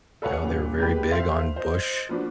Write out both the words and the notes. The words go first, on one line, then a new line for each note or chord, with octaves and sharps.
you know, they were very big on Bush.
A4 B4 C#5 F5 F#5 G#5
G2 A#2 C#3
G#3 A#3 B3 G4 B4
A4 C5 E5 F5 C6
C5 D#5
F3 A#3 B3 D4 F#4